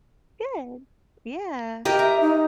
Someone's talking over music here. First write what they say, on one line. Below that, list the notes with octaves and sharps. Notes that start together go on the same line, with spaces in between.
Good. Yeah,
G4 A#4 D#5
E5 A#5
D#4